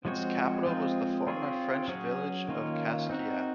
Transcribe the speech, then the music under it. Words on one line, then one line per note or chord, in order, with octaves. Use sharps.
Its capital was the former French village of Kaskakia.
F3 G#3 C4 F#4 C#5
F3 G#3 C4 F4 G#4
C4 F4 G#4 C#5
F#3 C#4 G#4 C#5
D#3 A#3 C#4 F4
C4 D#4 F#4 A#4